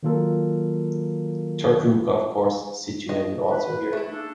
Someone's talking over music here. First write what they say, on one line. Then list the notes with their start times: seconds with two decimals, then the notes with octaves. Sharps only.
Turku golf course is situated also here.
0.03 D#3 F#3 A#3 F4 A4 A#4
3.09 D#5
3.50 B4
3.93 A3 E4 G#4
4.09 A#3 D4 D#4 A4